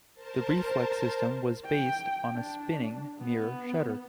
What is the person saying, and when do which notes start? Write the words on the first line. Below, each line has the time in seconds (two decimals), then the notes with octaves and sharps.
The reflex system was based on a spinning mirror shutter.
0.14 A#4 C5 A5
1.66 G5
2.33 D4
3.19 B3